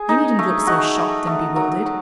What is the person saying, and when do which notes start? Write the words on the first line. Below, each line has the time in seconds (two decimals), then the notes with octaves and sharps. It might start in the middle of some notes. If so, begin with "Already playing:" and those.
You needn't look so shocked and bewildered.
Already playing: G#4
0.09 D#4
0.39 A3
0.67 D#4 F#4
0.97 A3
1.27 A3
1.56 F#3
1.86 F#3